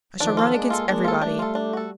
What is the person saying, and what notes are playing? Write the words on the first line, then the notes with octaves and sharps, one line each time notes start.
I shall run against everybody.
D#3 F3 D4
F4 A4
G#3 A#3 D4
F4 A4
G#3 A#3 D4
F4 A4
G3 A3 D4
F4 A4
D4
F#4 A4